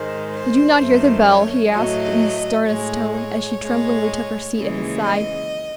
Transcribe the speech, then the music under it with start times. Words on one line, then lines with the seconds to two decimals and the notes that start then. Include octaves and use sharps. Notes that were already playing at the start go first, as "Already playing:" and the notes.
"Did you not hear the bell?" he asked, in his sternest tone, as she tremblingly took her seat at his side.
Already playing: G#2 D#3 G#3 C5
0.31 C5
0.79 F#2 D#3 A3
1.26 C#5
1.73 A2 F#3 A3 D#5
2.67 A2 G#3 C#5
3.14 C#5
3.61 A2 G#3
4.55 D#2 C#3 E3 G#3
5.02 D#5